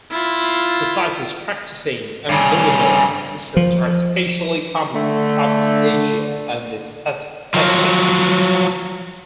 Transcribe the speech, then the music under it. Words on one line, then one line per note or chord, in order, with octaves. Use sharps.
Societies practicing ambilineal descent are especially common in Southeast Asia and the Pacific.
E4 F4
G2 C#3
F3
D3 A3
F3 F#3